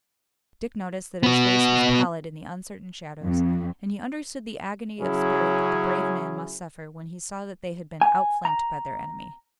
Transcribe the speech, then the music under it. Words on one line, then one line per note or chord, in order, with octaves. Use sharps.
Dick noticed that his face was pallid in the uncertain shadows, and he understood the agony of spirit that the brave man must suffer when he saw that they had been outflanked by their enemy.
B3 F#4
F2
C#3 F#3 C#4 E4 G#4
G#5
A#5